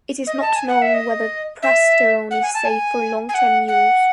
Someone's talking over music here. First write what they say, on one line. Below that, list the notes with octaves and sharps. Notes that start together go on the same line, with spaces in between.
It is not known whether prasterone is safe for long-term use.
D#5
A5
G#5
F#5
E5
D#5
E5
F#5
G#5
A5
G#5
G#5
F#5
F#5